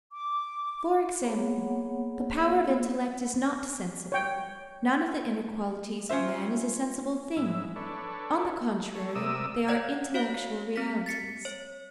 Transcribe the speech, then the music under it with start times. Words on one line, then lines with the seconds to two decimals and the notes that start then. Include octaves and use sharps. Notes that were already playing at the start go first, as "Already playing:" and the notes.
For example, the power of intellect is not sensible; none of the inner qualities of man is a sensible thing; on the contrary, they are intellectual realities.
0.12 D6
1.23 A#3 B3 G#4 C#5 F#5
4.12 C#5 G5
6.09 C#4 F4 C5 E5
7.37 G#2 E3 E5
7.76 D4 A4 B4 C#5
8.95 A4 C#5
9.15 C3 A#4 D5 E5 D#6 E6
9.68 C#5 D5 F#5 G#6
10.14 F#4 C#5 F5
10.76 C4 B6
11.06 A6 B6 C#7
11.45 C#5